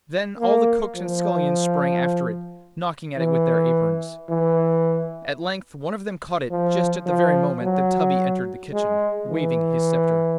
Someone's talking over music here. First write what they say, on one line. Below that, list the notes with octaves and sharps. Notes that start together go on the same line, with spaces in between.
Then all the cooks and scullions sprang after it, knocking at it with their aprons. At length one of them caught it just at the very moment that Tubby entered the kitchen, waving his sceptre.
A#3
F3
E3
E3
F3
F3
F#3
G#3
E3